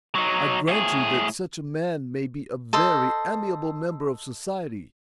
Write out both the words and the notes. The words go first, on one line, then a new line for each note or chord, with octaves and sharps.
I grant you that such a man may be a very amiable member of society.
F#3 D#4
A2 G#4
A4 C5 D#5